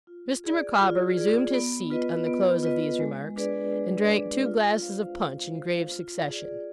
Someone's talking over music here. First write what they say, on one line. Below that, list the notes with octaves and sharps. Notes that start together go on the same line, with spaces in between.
Mr. Micawber resumed his seat on the close of these remarks, and drank two glasses of punch in grave succession.
F4
G#4 D5
F4
G#4 D5
B3
F4 B4 D#5
B3
F4 B4 D#5
G#3
D4 G#4 B4 D5
G#3
D4 G#4 B4 D5
F4
C5 F5
F4
C5 F5
F4
G#4 D5